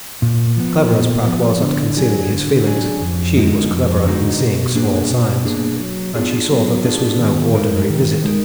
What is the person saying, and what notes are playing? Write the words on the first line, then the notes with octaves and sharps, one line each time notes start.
Clever as Pratt was at concealing his feelings, she was cleverer in seeing small signs, and she saw that this was no ordinary visit.
A#2
F3 B3
A#2
F3 B3
D3
F#3 D4 G#4
D3
F#3 D4 G#4
F2
D3 G#3 D#4 F#4
F2
D3 G#3 D#4 F#4
B2
A#3 D4 G#4 B4
B2
A#3 D4 G#4 B4
F#3
B3 D4 F4 G#4
F#3
B3 D4 F4 G#4
D#3
G#3 D#4 A#4
D#3
G#3 D#4 A#4